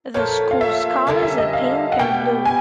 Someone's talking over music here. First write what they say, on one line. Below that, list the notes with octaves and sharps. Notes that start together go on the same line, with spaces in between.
The schools colors are pink and blue.
A#2 F3 A3 C#5
F5
E5
D3 G3 A#3 C#4 E5
E5
D#5
F5
F#5
B2 G3 B3 G5
G#5